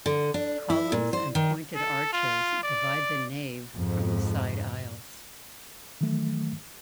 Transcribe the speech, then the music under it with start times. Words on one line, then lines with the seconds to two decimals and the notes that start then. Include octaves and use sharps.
Columns and pointed arches divide the nave from the side aisles.
0.06 D3
0.34 D4
0.70 E4
0.92 A#2
1.13 C5
1.35 D#3
1.75 A4
2.13 F4
2.63 D5
3.75 F2 G#2
6.01 D#3 E3 F#3 A3